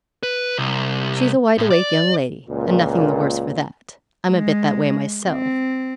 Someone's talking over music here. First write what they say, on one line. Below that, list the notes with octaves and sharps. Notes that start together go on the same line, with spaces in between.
She is a wide-awake young lady, and nothing the worse for that: I'm a bit that way myself.
B4
C2
A2
D5
C#2 A#2
G#3
C4